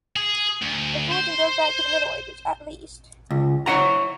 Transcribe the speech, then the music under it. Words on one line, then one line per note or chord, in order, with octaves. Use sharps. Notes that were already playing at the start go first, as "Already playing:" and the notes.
Its origin goes back to the Middle Ages, at least.
G#4
D2
C5
C#2
E4 C#5 F5 F#5 A#5